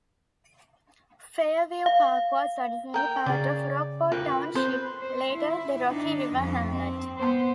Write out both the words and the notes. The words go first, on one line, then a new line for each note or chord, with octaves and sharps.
Fairview Park was originally part of Rockport Township, later the Rocky River hamlet.
F5
A#4 G5
C#3 G#4 D5
F4 A#4 B4 G5
C4 B4 C5
C5
E4
D4 D#4
F2
C4
B3 C5